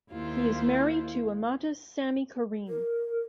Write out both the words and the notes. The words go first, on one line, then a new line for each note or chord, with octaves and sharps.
He is married to Amatus-Sami Karim.
D#2 E4 F4 C5
A#4